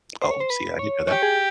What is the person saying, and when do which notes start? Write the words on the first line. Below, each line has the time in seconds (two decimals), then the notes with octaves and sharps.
Oh, see, I didn't know that.
0.22 C5
0.31 C#5
0.40 C5
0.50 B4
0.79 C#5
1.08 G4 C#5
1.23 G#4